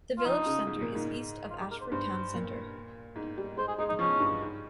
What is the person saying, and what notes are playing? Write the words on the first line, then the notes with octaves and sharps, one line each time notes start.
The village centre is east of Ashford town centre.
F4
F3 D#4
C#3
G#2
A#2
G#2
F4
G4
A#4
C5
G2 C5
A#2
G#2
G3
G#3 C5
G#4
G#3 D#4
D#4
F3 C#4
G2
G#2